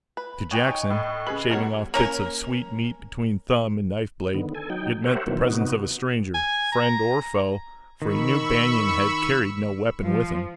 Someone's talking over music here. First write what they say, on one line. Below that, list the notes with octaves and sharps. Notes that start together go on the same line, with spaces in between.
To Jackson, shaving off bits of sweet meat between thumb and knife blade, it meant the presence of a stranger, friend or foe, for he knew Banion had carried no weapon with him.
B4
G3 B3 C#5 G5 G#5 C#6 D#6 F#6
D#4 D#5 C#6
A2 B5 D#6 A6
C#3 G#4 B4 F#7
B2 D#3 G3 F#4 A#4 C#5
A#3 C#4 A#4
D3 D#3 B3
A4 G#5
F#3 D#4 G5
G4 A#4 C5 C#5 E5 F#5
B2 D#3 E3 F#3 A#3 C4
C3 B3 D#4 F#4
G#5
A#5
D#3 B5 C#6 E6
F3